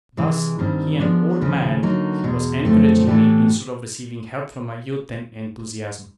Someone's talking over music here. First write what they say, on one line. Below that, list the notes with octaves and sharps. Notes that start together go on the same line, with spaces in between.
Thus he, an old man, was encouraging me instead of receiving help from my youth and enthusiasm.
C3 E3 G#3
G2 D#3 G3 C4
F3 G#3 B3 D4
D#2 C#3 F3
D3 F#3 A#3 D#4 F#4
E2 B2 G#3
F#2 D3 F3 A3 C4
A2 E3 A3 D4 G4